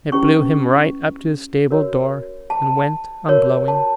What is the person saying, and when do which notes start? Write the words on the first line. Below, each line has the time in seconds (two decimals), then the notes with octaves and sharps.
It blew him right up to the stable-door, and went on blowing.
0.12 C#4 E4 G4 B4 C#6
1.70 F#4 A#4 C#5
2.50 A5
3.28 F#4 A#4 C#5
3.68 A5